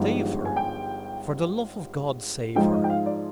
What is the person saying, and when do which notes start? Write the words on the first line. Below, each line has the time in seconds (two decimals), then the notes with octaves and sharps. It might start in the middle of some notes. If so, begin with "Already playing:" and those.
'Save her! for the love of God, save her!'
Already playing: G1 G2 F3 G#3 D#4
0.45 G#5
0.57 G5
2.56 G#2 F3 G#3 D#4 G5
2.73 D#5
2.84 G5
2.90 F5
3.06 D5